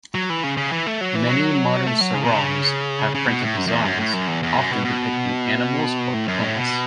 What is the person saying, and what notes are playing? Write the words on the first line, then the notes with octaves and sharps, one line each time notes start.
Many modern sarongs have printed designs, often depicting animals or plants.
F#3
E3
C#3
C#3
E3
A3
F#3
E3
F#3
A3
F#3
C#3
B2
C#3
C#3
B2
A2
F#2
F#2
E2
F#2
A2
F#2
E2
E2
F#2
B2
B2
A2
F#2
A2
B2